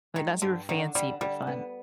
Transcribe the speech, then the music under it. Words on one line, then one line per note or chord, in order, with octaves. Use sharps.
like, not super fancy, but fun.
D#3 G#3
G2 D3
D3 D#3
D3 G3
D3 G3
B3